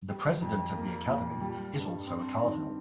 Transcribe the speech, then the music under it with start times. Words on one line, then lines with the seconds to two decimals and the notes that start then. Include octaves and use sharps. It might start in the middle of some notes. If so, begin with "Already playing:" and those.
The president of the Academy is also a cardinal.
0.08 G3
0.42 F2
0.75 A#3
1.07 A#2
1.41 G3
1.74 G2
2.07 C4
2.40 D#3